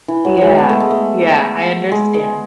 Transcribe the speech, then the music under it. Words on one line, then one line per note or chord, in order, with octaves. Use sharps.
Yeah, yeah, I understand.
E3
F#3
F#3 G#3
B3
A3
G#3
A3
G#3
G#3